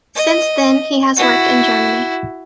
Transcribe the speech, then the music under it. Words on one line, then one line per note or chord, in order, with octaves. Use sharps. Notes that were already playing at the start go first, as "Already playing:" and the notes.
Since then he has worked in Germany.
D#5
E4 F#4